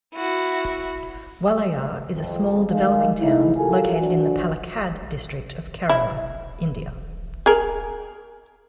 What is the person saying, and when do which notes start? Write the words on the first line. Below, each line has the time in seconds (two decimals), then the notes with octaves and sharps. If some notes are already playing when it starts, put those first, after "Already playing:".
Walayar is a small developing town, located in the Palakkad district of Kerala, India.
0.15 E4 F#4
2.13 F2
2.71 D#3 G#3 F5
3.19 G#2 A3 D#4 E4
3.57 F4 G4 A4 A#4 F5 G#5
3.99 D2 F3 D4 F#4
5.89 E4
7.46 G#4 A#4